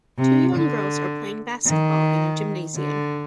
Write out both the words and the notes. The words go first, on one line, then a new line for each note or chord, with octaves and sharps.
Two young girls are playing basketball in a gymnasium.
C3
D3
D#3
D3